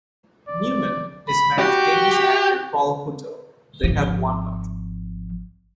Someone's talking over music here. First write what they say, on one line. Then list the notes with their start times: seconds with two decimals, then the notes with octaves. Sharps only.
Neumann is married to Danish actor Paul Hüttel; they have one daughter.
0.48 D5
1.28 B5
1.59 F#4 G4
3.84 G#1 F3